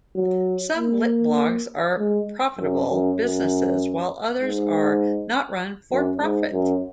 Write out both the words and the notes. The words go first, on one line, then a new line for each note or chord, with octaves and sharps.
Some litblogs are profitable businesses while others are not run for profit.
F#3
A#3
G#3
F#2
F#2
F#2
G#2
F#2
G#2
F#2